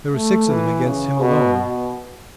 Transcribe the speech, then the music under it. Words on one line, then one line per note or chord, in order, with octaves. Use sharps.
There were six of them against him alone.
A3
E3
C#3
B2
B2